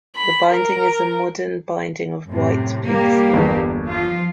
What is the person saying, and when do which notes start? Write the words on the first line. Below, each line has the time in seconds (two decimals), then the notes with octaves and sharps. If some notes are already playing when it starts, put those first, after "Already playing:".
The binding is a modern binding of white pigskin.
0.15 B5
0.50 A#4
2.30 F#2 A2 C3
2.88 G3 A#3 G4
3.33 G1 E2
3.88 F3 F4